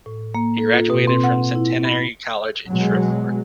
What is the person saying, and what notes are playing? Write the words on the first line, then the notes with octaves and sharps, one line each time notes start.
He graduated from Centenary College in Shreveport.
A2
A#3
A4
F4
B2
C4
F#5
E4
B5
B2 F#3 G#3